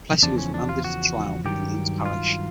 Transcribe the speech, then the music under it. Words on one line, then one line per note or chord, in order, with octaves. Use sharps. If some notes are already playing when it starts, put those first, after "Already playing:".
Plessy was remanded for trial in Orleans Parish.
E2 C#3 F3 D4
C#4
D4
F4
F#4
G2 D#3 F#3 G4
F4